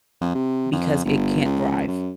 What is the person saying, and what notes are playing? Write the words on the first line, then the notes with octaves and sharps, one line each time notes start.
because it can't thrive.
F2
C3
F2
G1
C#2
F#2